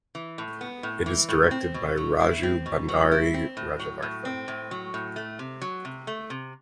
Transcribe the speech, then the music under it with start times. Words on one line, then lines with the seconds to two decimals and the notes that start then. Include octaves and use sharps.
It is directed by Raju Bhandari Rajavartha.
0.15 E3
0.38 A2
0.61 B3
0.83 A2
1.06 E3
1.29 A2
1.51 C4
1.74 B2
1.97 F#3
2.20 E4
2.43 C4
2.66 B2
2.88 F#3
3.12 E4
3.34 C4
3.57 A2
3.79 F#3
4.02 A2
4.25 C4
4.48 A2
4.71 F#3
4.94 A2
5.16 A3
5.39 C3
5.62 F#3
5.85 C3
6.07 A3
6.30 C3